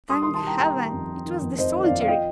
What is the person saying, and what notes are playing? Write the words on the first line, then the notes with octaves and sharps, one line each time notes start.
Thank Heaven! it was the soldiery.
G3 C6 D#6
D#3 C6 D#6
A5 C6
G3 G5 A#5
G3 G5 A#5
D#3
F2
D#3
D#3
F2
F2 C5 D#5
D#3
D5 F5
F2
F5
F3 D#5 G5